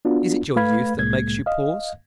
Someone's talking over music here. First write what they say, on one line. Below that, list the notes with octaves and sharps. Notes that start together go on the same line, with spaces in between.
Is it your youth that makes you pause?
B3 D4 F4 F#4
A3 B4 F5 B5 G#6
C2 A2 G#3 A#3 G#6
D#5 F5